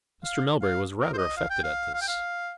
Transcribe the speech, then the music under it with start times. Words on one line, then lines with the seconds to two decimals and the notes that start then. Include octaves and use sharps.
Mr. Melbury was rather affected at this.
0.24 F5
0.62 F5
0.99 A#4
1.13 C5
1.17 D#5
1.37 F5
1.50 G5
1.64 F5
1.94 F5
2.01 G5
2.08 F5